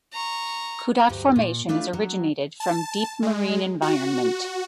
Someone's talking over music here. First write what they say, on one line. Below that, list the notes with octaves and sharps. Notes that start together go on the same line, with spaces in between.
Kudat formation is originated from deep marine environment.
A#5 C#6
D2 G2 F#3 G4
A#2
A3 D4 E4 F4
F#3
A5
G#3
F#4